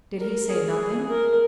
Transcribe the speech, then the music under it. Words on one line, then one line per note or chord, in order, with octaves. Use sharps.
Did he say nothing?
A#4
G#4
A#4